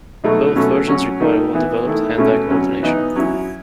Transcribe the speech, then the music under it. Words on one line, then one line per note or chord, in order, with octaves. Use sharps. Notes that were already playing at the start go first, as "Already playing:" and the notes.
Both versions require well-developed hand-eye coordination.
B2 F#3 A3 D#4
B2 F#3 A3 C#4
F#3 C#4 F#4
D#3 A3 D#4
E3 B3 E4
D#3 A3 E4
B2 A3 C#4
B2 F#3 C#4
E3 B3 D#4
F#3 C#4 E4